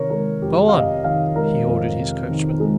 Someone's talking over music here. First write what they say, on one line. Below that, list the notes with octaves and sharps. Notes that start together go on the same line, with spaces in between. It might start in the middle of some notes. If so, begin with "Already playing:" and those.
"Go on!" he ordered his coachman.
Already playing: C3 D#3 A#4 C#5
G#3 A#4
F2 G4
F5
C3 D#5
D#3 F5
G#3 A#4
F2
C3
D#3
G#3